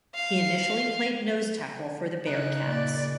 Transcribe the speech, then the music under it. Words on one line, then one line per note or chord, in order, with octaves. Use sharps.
He initially played nose tackle for the Bearcats.
F5
C#3 D#4 A#5 F#6
A#2 D5